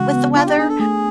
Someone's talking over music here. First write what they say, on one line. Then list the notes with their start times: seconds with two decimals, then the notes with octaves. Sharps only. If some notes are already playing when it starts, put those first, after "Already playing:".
with the weather.
Already playing: C#3 E3 G#3 F#4
0.14 B3
0.35 D4 F4
0.46 G4
0.58 D4 G#4
0.69 A4
0.80 A3 G#4